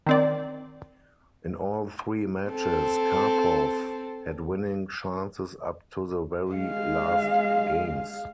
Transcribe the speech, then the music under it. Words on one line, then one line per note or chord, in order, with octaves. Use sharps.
In all three matches, Karpov had winning chances up to the very last games.
D#3 C4 D5
C4 A4
G#3 F5